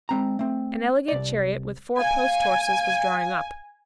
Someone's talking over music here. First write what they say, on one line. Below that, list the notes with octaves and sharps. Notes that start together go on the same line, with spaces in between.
An elegant chariot with four post-horses was drawing up.
G#3 C4 A#5
A3 C4
C2 D5
F5 G#5